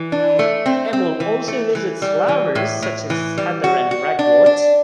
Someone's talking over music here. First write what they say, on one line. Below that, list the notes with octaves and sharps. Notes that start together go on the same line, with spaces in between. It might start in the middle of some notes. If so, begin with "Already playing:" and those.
It will also visit flowers such as heather and ragwort.
Already playing: E3
D4
A3
C4
C4
E3
A3
E3
G3
E3
A2
A2
E3
G3
F#4
F#4
D4
D4